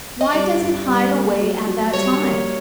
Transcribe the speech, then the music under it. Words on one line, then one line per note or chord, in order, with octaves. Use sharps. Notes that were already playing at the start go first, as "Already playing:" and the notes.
Why does it hide away at that time?
D#5
G3 D5
G2
G3
A#3
F#3
F#3
G3 C#5
A#3